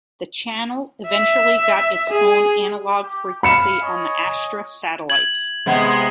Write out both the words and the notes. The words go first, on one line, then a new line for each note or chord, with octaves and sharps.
The channel eventually got its own analogue frequency on the Astra satellites.
E5
G#4
G4
F5 B5 C#7 E7
C#5 D#5 G#5
G#6 F#7
C3 G#3 B3